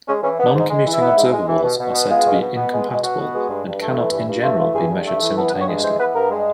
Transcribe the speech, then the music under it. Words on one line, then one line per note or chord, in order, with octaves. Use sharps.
Noncommuting observables are said to be "incompatible" and cannot in general be measured simultaneously.
G#3 C#4
E3 C#4
B3
D4
G#2 D#4
G#3
E3
E4
B3
G#2
G#3
E3
B2
B2
B3
G#3 F4
B2
B2
B3
G#3
B2
B2 F#4
B3
G#3
G2
G2
A3
E3
G2
G2
A3 F4
E3 F4
G2 G#4
G2
A3
E3
B3 A4
B4
G2
C#5
G#3
E3 C5
B3 B4
G2 A#4
G#3